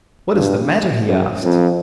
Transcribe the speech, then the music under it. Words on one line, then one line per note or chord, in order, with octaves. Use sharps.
"What is the matter?" he asked.
G2
F#2
F2